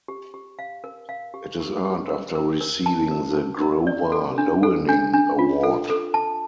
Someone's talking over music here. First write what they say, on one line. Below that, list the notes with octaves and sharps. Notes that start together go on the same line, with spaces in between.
It is earned after receiving the Grover Loening Award.
G4
G4
F5
A#4
F5
G4
G4
G4
A#4
A#4
A#4
A5
A#4
A#4
A#4
D5
A4
D4
A4
D4
D4
F4
A4
A4
A5